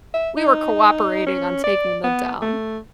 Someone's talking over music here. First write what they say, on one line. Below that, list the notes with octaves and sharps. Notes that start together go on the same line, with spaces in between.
We were cooperating on taking them down.
E5
D#4
C#4
D5
B3
A3